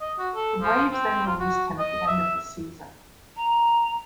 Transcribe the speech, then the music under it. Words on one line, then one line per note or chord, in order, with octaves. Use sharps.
The Braves then released him at the end of the season.
D#5
F#4
A4
F3
C4
F4
F#4
D#5
E5
A#5